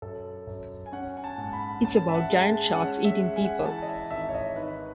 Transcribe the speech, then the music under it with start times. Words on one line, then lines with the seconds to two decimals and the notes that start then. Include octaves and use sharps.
It's about giant sharks eating people.
0.02 F#2 A4
0.47 F#2
0.86 G#5
0.92 C#4 F#5
1.17 G#5
1.24 A5
1.38 G#2
1.53 B5
1.84 C#4 A5
2.09 E5
2.15 F#5
2.30 G#3
2.40 G#5
2.44 A5
2.75 C#4 F#5
3.05 E5
3.20 G#3
3.36 G#5
3.45 F#5
3.55 G#5
3.65 E3 A5
3.82 D#5
3.89 E5
4.11 G#1 E5
4.29 C#5
4.34 D#5
4.56 D#3 B4